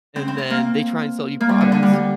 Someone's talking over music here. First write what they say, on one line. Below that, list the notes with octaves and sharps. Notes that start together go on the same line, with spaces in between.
and then they try and sell you products.
C4
C4
C4
A#3
A#3
G3
D3
D3
G3
G3